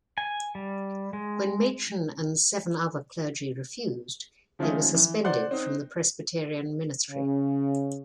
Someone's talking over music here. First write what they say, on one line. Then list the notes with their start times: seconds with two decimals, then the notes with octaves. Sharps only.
When Machen and seven other clergy refused, they were suspended from the Presbyterian ministry.
0.18 G#5
0.55 G3
1.13 G#3
4.59 D#3 F3 G#3 A3 C#4 D#4
4.94 E3
5.24 C5 D5 F#5 C6 F#6
5.51 C4 D#4
7.10 C#3